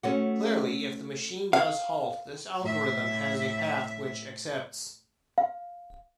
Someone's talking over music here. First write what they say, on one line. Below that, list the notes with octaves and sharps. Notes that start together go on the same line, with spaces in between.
Clearly, if the machine does halt, this algorithm has a path which accepts.
A3 C#4 F#4
F5
A2 E5
F5